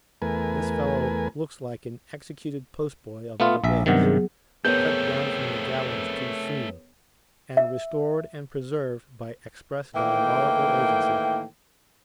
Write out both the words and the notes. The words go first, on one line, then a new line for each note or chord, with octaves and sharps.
This fellow looks like an executed postboy of other days, cut down from the gallows too soon, and restored and preserved by express diabolical agency.
E2 A3 A#4 B4 G#5
A3 B3 F4 F5 C6
A#1 E5
G2 C3 D#3 F#3 B3 F#5
G#4
A3 B3 C4 G#4 A#4 C#5 G6
E5
A2 D#3 E3 A#3 G5